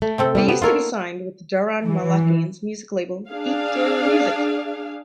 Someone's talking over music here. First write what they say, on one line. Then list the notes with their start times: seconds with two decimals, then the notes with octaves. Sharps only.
They used to be signed with Daron Malakian's music label EatUrMusic.
0.02 A3
0.18 C3 C4 A4
0.35 G3 E4 G4
0.48 B3 G4
0.62 A#3 D#4 F4 A4 A#4 C#5
1.85 E3
3.30 D4 G#4 F5